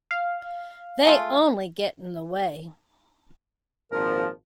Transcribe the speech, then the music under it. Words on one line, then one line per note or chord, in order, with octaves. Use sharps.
They only get in the way.
F5
G#3 A3 F4
G#1 A#2 F3 A#4